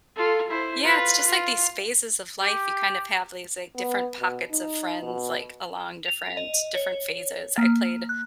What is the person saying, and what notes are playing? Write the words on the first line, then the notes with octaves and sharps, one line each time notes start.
Yeah. It's just like these phases of life. You kind of have these, like, different pockets of friends, like, along different different phases. I played
F4 A4
E4 C5
F4 B4
F4
G4
B3
B2
D#4
B2
F7
D#5
C#5
A#3
F#6